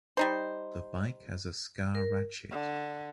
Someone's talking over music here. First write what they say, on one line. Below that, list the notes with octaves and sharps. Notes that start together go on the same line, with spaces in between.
The bike has a scar ratchet.
G3 D#4 C5
A#4
D3